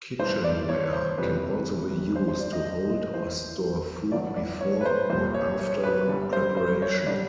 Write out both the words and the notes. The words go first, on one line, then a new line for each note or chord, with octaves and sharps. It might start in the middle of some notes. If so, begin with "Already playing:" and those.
Kitchenware can also be used to hold or store food before or after preparation.
A1 G2 E3 C5
D5
C#5
C5
F#1 F2 C3 E3 G3 B4
G#1 F#2 D3 C5
C5
D5
D#5
D#5
D#5
A1 A2 E3 C5
A1 G2 D3 F#3 D5
D5
C#5
B4
C5
C2 A#2 G3 C5
C#5
C#5
B4
G1 F#2 D3 G3
C5
C5
C#5
D3 G3 D5